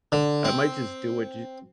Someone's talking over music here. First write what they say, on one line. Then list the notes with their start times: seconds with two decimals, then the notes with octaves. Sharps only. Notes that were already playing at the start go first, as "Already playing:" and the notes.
I might just do it j
0.12 D3
0.45 C4